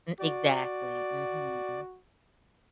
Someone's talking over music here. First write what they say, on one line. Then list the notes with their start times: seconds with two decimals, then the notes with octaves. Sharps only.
M exactly, mhm.
0.20 F#4 D5